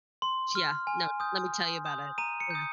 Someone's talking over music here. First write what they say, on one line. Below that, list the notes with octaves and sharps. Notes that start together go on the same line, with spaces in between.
yeah, no, let me tell you about it, yeah.
C6
F6
G#5
D#6 G6
G#5
D#6 G6
A#5 D#7
C#7
D#6 G6